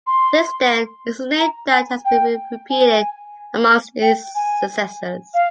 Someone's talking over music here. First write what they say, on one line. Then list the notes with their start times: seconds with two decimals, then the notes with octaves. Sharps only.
Since then, it’s a name that has been repeated amongst his successors.
0.07 C6
1.39 A#5
1.71 G#5
2.05 G5
2.70 G#5
4.02 G5
4.35 G#5
5.34 F5